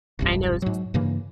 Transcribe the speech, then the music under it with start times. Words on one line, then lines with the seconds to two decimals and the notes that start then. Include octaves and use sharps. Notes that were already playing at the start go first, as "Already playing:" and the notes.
I know s
0.19 E1 C2 G2
0.62 G#2 F#3
0.94 G2 C#3 E3 A#3